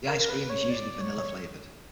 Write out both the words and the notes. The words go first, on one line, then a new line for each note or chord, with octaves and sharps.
The ice cream is usually vanilla flavoured.
A#4
A#4
B4
C#5
D5
C#5